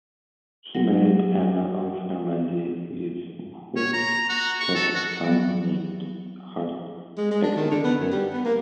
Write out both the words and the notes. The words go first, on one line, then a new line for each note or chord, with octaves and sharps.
He married Emma of Normandy with whom he had a son named Harthacnut.
F#3
C#5
A#5
F#4
C#6
A4
F#4
F#3 B3
G#3
G#3
D4
D#3
D3
B3
F#2
G3
B3
A#3